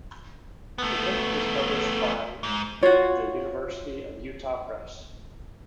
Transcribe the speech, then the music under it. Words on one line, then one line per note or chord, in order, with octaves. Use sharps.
The book is published by the University of Utah Press.
A3 B3
G#2
F4 F#4 C#5